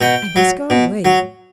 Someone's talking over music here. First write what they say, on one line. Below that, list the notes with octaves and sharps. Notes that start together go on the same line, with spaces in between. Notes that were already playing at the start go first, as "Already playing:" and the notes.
I must go away.
B2 G5
F#3
B2
F#3